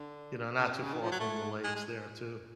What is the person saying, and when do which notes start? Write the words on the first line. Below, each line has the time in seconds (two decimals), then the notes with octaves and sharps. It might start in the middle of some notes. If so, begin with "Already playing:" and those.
you know, not too far from the lakes there too.
Already playing: D3
0.58 C#3
0.64 B2
0.70 C3
0.82 C#3
0.93 D#3
1.02 F3
1.12 F#3
1.20 A3
1.64 G#3
1.75 G#3